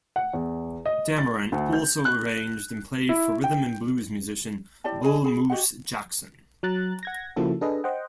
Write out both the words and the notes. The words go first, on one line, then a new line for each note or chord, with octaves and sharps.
Dameron also arranged and played for rhythm and blues musician Bull Moose Jackson.
F#5
E2
D#5
A6
D2
G6
F#6
E4
G5
E4 G4 D5 A5
G#4 D#5 G#5 B5
G#4 B5
F#4 G4 D#5 F#5
F#3 A#5 F#6 A6
F#5 G#6 A#6
C#3 F3 A#3 E4 F#4 A4
D4 G#4 A4 B4 D#5
C5 D#5 F#5 G5